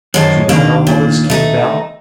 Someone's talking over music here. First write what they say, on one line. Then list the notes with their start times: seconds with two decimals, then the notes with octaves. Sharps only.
Do you know how all this came about?
0.14 F#2 D#3 G#3 C5 A5
0.49 D#2 D#3 A#3 D4
0.87 A#2
1.30 A3 D#4